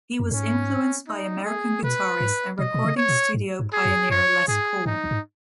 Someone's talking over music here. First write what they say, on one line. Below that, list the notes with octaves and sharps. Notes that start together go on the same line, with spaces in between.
He was influenced by American guitarist and recording studio pioneer Les Paul.
F#2
G#2 C#4
D#4
G#4
B2 B4
G#2
B2 D#5
B2
C#3
C#5
B2
G#2
G#2
G#4
F#2
F#2 C#5
G#2 G#4
G#2 D#4
G#2